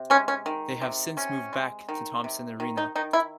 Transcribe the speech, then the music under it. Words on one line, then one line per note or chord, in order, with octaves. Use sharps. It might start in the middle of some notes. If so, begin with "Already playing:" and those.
They have since moved back to Thompson Arena.
Already playing: C3
G#3 C#4
C#4
D#3
C3
C3 C#4
G#3
D#3
C3
D#3
D#4
D#3 D#4
E4